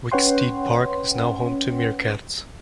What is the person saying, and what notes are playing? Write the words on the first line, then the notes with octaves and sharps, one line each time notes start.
Wicksteed Park is now home to Meerkats.
C#4 B4 C#5 F#5 G5 C6